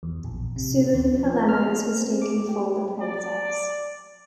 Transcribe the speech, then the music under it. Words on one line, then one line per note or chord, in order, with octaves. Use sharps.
Soon Helena is mistaken for the Princess.
E2
A#1
C3
D#2
F3
F6
C4
D6
G4
D5